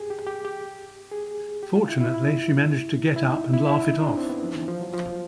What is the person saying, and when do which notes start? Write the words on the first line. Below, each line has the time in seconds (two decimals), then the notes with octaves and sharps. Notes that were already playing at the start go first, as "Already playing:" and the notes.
Fortunately, she managed to get up and laugh it off.
Already playing: G4 G#4
0.10 G4
0.26 G4
0.45 G4
1.12 G#4
1.63 G4
1.75 F4
1.89 E4
2.01 E4
2.14 E4
3.16 E4
3.29 D#4
3.53 E4
3.66 E4
3.83 D#4
4.01 D4
4.17 C4
4.29 B3
4.43 F3
4.56 E3
4.68 F3
4.81 F#3
4.93 F3